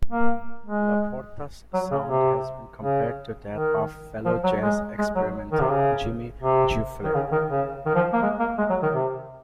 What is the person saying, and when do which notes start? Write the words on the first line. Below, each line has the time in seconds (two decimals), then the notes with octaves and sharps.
LaPorta's sound has been compared to that of fellow jazz experimenter Jimmy Giuffre.
0.11 A#3
0.65 G#3
1.73 F#3
1.91 C#3
2.09 C3
2.81 C#3
3.54 D#3
4.25 F3
4.43 F#3
4.62 G#3
4.98 G#3
5.15 F#3
5.52 D#3
5.61 C3
5.70 C#3
6.42 C3
7.03 D#3
7.14 C#3
7.32 D#3
7.50 C#3
7.85 D#3
7.95 F3
8.13 A#3
8.22 G#3
8.39 A#3
8.58 G#3
8.69 F#3
8.82 D#3
8.94 C3